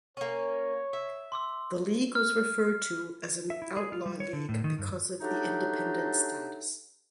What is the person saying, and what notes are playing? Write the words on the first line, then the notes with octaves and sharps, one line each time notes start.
The league was referred to as an "outlaw" league because of the Independent status.
A#3 C#4 C#5
E5
C6 D6 E6
F6
E5
E4
G#4
F4
G3
C#5
D3
A2
D#3
G2
F#3 A3 D4 D#4 F#4 G4